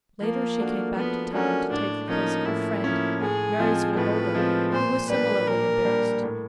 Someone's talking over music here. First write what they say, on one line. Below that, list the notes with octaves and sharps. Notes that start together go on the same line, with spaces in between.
Later she came back to town to take the place of her friend, Mary Svoboda, who was similarly embarrassed.
F3 A#3
A3 D4 F#4 A#4
F3 B3
A3 C#4 D4 F#4 A#4
A2 D4
F3 A#3 C#4 D#4
A2 E4
F3 A#3 C#4
A2 G#4
F3 G#3 C4 F4
A2 B4
F3 G#3 C4 F4
A#2 C5
G3 A#3 D4 B4
A#2 A#4
G3 A#3 D4
A2